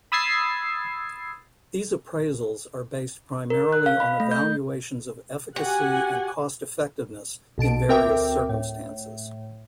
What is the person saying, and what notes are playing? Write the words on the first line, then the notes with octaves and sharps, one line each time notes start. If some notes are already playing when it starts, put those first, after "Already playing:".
These appraisals are based primarily on evaluations of efficacy and cost-effectiveness in various circumstances.
B5 D#6 E6 G#6 A6 C7
A#4
F#6
F5
B5
A3
G6
F#4 G4 F#5 G#5
B1 B2 A5 D7
D2 C4 A#4 E5 G5 D6
A2